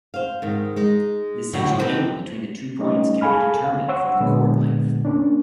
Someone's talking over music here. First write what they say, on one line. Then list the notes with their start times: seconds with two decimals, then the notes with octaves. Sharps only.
The central angle between the two points can be determined from the chord length.
0.14 C5 F5
0.42 G#2 D#3
0.76 G#3 D#4
1.53 A2 D3 F#3 G3 E4 F#4
1.79 B3 C4 D#4 E4 A4 B4
2.79 G3 A3 C#4 D#4 D#5
3.21 G#4 A4 F5 G#5 B5 F6
3.64 F5
3.88 C5 C#5 F#5 E6
4.20 A#2 D3 F#3 G#3 B3
5.05 A#3 C#4 D4